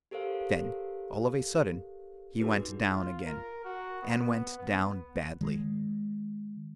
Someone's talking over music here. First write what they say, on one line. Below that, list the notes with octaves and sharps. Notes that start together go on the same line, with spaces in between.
Then, all of a sudden, he went down again, and went down badly.
G4 A4 A#4 C5 F5
D4 D#4 F#4 G#4 B4
F4
A#4
F#4
B3
B3
D#3 G#3